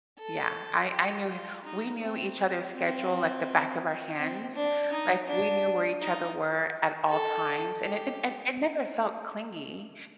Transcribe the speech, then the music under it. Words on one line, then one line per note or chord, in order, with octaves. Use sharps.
Yeah. I I knew we knew each other's schedule, like, the back of our hands. Like, we knew where each other were at all times, and it didn and it never felt clingy.
A4
G4
F4
D#4
C4
C4
C4
D4
D#4
D4
D#4
A4
G4